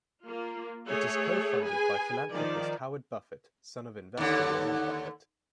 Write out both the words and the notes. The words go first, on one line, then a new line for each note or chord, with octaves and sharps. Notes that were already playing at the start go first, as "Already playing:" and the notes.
It is co-funded by philanthropist Howard Buffett son of investor Warren Buffett.
A#3 F4
A3 G#4 C#5
G#4 B4 G#5
D#3 F3 D5
D#2 D3